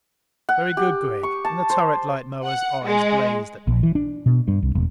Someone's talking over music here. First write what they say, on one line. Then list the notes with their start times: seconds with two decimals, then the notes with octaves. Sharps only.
"Very good, Gregg." In the turret light Moa's eyes blazed at me.
0.49 F#5
0.77 G4
1.23 C#6
1.45 A5
1.70 C5
2.44 F#5
2.84 G#3
3.67 A#1
3.83 E3
3.95 D4
4.26 B2
4.48 G2
4.62 C2
4.75 E1